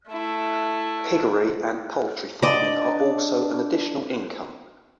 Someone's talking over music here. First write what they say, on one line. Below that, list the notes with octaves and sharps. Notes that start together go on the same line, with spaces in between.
Piggery and poultry farming are also an additional income.
A3 E4
D4 D5 D#5